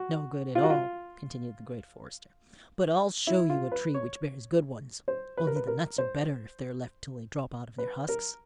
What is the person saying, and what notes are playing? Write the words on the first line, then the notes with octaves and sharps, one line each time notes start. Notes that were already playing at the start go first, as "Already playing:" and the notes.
"No good at all," continued the great forester; "but I'll show you a tree which bears good ones, only the nuts are better if they're left till they drop out of their husks."
Already playing: F#4
F4
F#4
F4
E4
F4
B4
C#5
C5
B4
A#4
B4
A#4
C5
B4
A#4